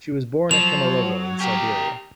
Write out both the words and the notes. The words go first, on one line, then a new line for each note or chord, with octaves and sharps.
She was born at Kemerovo, in Siberia.
F3 F#3 F7
G4 A#4